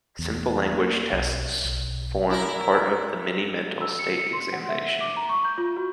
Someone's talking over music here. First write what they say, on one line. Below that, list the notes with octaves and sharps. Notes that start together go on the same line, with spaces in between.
Simple language tests form part of the mini-mental state examination.
E2
A#3
B1
B1
E4 A#4
E6
C#7
C#7
C6
F#5
E5
D6
A#5
C#6
G6
F4
F#4